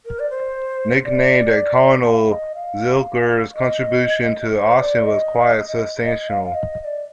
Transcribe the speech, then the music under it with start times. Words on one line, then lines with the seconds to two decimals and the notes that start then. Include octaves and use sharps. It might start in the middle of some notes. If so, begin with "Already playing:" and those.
Nicknamed "the Colonel", Zilker's contribution to Austin was quite substantial.
0.06 A#4
0.19 D5
0.30 C5
1.05 D5
2.05 A5
2.09 F5
2.30 D#5
2.55 F5
3.55 D#5
4.55 C5
4.80 D5
5.05 D#5
6.05 D#5
6.29 F5
6.43 F5
6.54 D#5
6.80 D#5
6.84 D5